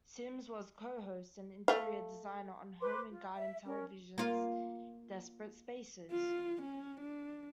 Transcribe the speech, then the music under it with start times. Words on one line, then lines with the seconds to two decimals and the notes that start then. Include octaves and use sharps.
Simms was a co-host and interior designer on Home and Garden Television's "Desperate Spaces".
1.68 A3 F5
2.81 B4 C5 C6 D6
3.10 F4
3.35 E5
3.65 C#4 A#4
4.18 A#3 F4
6.11 F4
6.62 C#4
7.01 D4